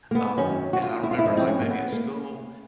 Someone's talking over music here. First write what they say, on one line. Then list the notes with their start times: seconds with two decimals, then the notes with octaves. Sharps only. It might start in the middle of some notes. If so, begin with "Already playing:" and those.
Um, and I remember, like, maybe at school,
0.11 A#3
0.15 B3
0.37 F#2 D#3 F#3 C#4
0.73 F#4
0.82 F4
1.03 E4
1.11 F4
1.18 E4
1.25 G#2 F3 D#4
1.37 C4
1.47 C#4
1.62 A#3
1.70 B3
1.93 A#3